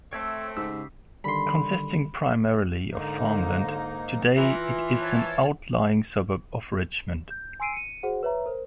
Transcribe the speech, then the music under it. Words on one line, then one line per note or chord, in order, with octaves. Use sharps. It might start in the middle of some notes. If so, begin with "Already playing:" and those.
Consisting primarily of farmland, today it is an outlying suburb of Richmond.
A3 C4 C#5 E5 E6
G#2 C#3 G4 E6
D3 D#3 G3 B5 C6
G#2 D3 A#3 D#4
E3 F4 A#5
F3 C#5 A5
G6
G#5 C6 E6 C7 D7 D#7
C#7 D#7
F#4 G#4 C5 F#5
B4 C#5 E5 A#5
A#4 C5